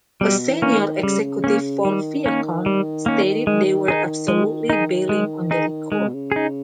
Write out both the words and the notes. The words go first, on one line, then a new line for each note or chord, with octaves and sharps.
A senior executive for Viacom stated they were absolutely bailing on the record.
B2 G3
E3
A#3 C#4
D#3
C#3 G3
A#3 C#4
D#3 G3
A#3 C#4
G3
A#3 C#4
D#3 G#3
D#4 G#4
G#3
D#4 G#4
G#3
D#4 G#4
D#3 G#3
C#3
B2
C#3
D#4 G#4